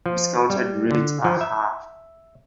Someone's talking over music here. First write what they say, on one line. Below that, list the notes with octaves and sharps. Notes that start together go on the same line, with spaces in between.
Discounted rates are half.
F3
G3
D3
F3
E5